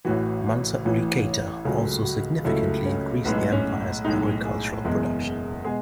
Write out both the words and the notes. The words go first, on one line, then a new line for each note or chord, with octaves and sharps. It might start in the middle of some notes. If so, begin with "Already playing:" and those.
Mansa Uli Keita also significantly increased the empire's agricultural production.
A1 A2 E3 F#4
A1 A2 E3
C#2 C#3 F#3 A3 G#4
F#4
C#2 C#3 F#3 A3 E4
C#4
B1 A2 G#3 B3
C#4
B1 A2 G#3 D#4
G#4
F#1 E2 B2 G#3
B2 G#3 G#4